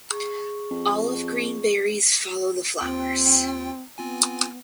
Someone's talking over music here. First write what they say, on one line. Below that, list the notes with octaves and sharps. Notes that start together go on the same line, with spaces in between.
Olive green berries follow the flowers.
G#4 C#6
F2
D#2 C4 F4 G5
B3 C4 F4 G#5